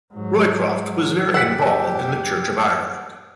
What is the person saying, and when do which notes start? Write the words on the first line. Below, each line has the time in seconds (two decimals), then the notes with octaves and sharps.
Roycroft was very involved in the Church of Ireland.
0.14 G#2 F#3
1.34 F#1 A#2 G4 F#5 E6 F#6 A6 B6